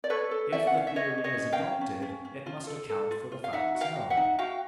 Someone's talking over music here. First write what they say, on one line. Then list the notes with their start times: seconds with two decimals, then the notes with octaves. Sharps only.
If the theory is adopted it must account for the facts known.
0.04 D5
0.10 A4 B4 C#5
0.31 A4
0.52 C#4 D5 E5
0.67 F#5
0.74 C#4 F5
0.87 E5
0.96 C#4 C#5 D#5
1.18 C#4
1.24 C#5 D#5
1.38 C#4
1.52 F5 G5
1.60 C#4
1.81 C#4
2.02 C#4
2.25 C#4
2.46 F4
2.67 A4
2.89 A4
3.11 F4
3.32 F4
3.44 F5
3.53 D#4 E5 F#5
3.75 F#4
3.81 F5 G5
3.96 F#4
4.10 E5 F#5
4.17 D#4
4.39 F#4 F5 G5